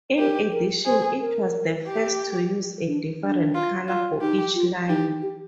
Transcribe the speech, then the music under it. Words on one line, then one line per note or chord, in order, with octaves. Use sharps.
In addition, it was the first to use a different color for each line.
G4 A#4
A#4
G#4 C5
A#4
G4
D4
D4
F4
F4
D#4 G4
F4
D#4 G4
D#4
G4